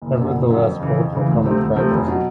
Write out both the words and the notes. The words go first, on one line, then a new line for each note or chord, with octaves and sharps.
Nevertheless, both were common practices.
F#1
F#2 D3
F#1
F#2 D3
F2
C#3 E3
F2
C#3 E3
D2
C3 F3 A3 C4
D2
C3 F3 A3 C4
F1
B2 F#3